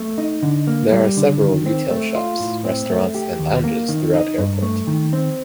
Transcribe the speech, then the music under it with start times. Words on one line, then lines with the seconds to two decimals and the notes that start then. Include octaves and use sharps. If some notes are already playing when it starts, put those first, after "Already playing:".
There are several retail shops, restaurants and lounges throughout airport.
Already playing: A3
0.18 D#4
0.43 D3
0.67 A#3
0.92 G3
1.17 D3
1.41 D#3
1.66 C4
1.91 A3
2.15 F4
2.40 A2
2.65 C4
2.90 A3
3.15 G4
3.39 D#2
3.64 A#3
3.89 D#3
4.14 D#4
4.38 G2
4.62 A3
4.87 D#3
5.13 C4